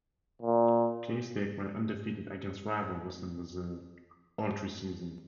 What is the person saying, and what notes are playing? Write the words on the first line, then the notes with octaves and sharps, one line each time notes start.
Case Tech went undefeated against rival Western Reserve all three seasons.
A#2